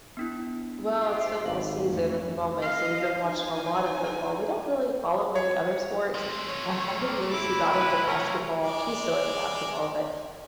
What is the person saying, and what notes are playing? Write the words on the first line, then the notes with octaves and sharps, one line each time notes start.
Well, it's football season at the moment, so we've been watching a lot of football. We don't really follow many other sports. I have a niece who got into basketball. She's still into basketball, but
B3 D4 E4
F4 G4 C5
G#1 F5
F2 A3 C#4
D#5 F5
D#4 G#5
C#5
F3 A3
C#5
A#3
E4 D6
B4
A#4 C#5
G#3 D5